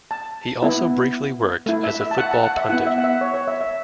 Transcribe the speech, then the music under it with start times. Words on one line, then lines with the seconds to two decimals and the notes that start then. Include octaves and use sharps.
He also briefly worked as a football pundit.
0.11 A5
0.62 B3 E4
1.66 A3 E4
1.84 E5
2.01 E5
2.11 A5
2.18 F#5
2.31 A5
2.44 F#5
2.57 E5
2.70 B3 E4 F#5
2.87 E5
2.98 F#5
3.04 E5
3.21 C#5
3.34 C#5
3.48 E5
3.61 E5